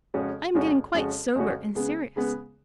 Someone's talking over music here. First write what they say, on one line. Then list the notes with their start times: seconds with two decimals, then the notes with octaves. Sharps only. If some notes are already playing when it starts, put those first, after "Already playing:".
I am getting quite sober and serious.
0.14 F2 C#3 G#3 C#4 F#4
0.54 F2 C#3 G#3 C#4 F#4
0.94 F2 C#3 G#3 C#4 F#4
1.36 F2 C#3 G#3 C#4 F#4
1.75 C#3 G#3 B3
2.16 C#3 G#3 B3